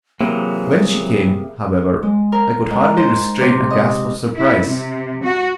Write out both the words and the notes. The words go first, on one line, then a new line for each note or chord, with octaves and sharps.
When she came, however, I could hardly restrain a gasp of surprise.
C3 E3 F#3 A#3 G#4
G#3
A#4
G#2
C5
C3
D#5
E4
C3
F#4